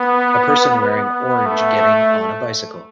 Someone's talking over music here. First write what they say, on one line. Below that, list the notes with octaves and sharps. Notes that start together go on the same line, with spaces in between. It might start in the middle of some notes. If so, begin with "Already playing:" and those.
A person wearing orange getting on a bicycle.
Already playing: B3
B3
A3